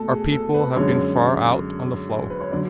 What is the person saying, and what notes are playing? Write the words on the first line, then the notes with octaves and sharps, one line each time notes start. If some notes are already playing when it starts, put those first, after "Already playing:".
Our people have been far out on the floe.
Already playing: B2 A3 A4
G#4
A4
B4
F#2 D3 G#3 C#5
B4
C#5
D3 F#3 D5